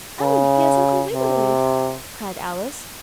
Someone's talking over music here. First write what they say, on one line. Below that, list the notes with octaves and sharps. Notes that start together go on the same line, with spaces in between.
"Oh, here's Uncle Wiggily!" cried Alice.
C#3
C3